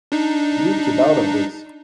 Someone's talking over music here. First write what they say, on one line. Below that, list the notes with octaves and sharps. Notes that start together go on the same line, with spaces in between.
You keep out of this.
D4 D#4